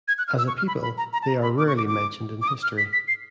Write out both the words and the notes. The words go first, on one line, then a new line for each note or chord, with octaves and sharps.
As a people they are rarely mentioned in history.
G#6
F#6
F6
E6
C#6
F6
B5
B5
A#5
A#5
A5
A#5
B5
D6
C#6
D6
D6
D6
D#6
F6
B6
B6
C7